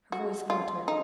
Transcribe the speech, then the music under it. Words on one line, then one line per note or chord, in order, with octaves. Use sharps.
Her voice faltered.
F#4
F4
D#4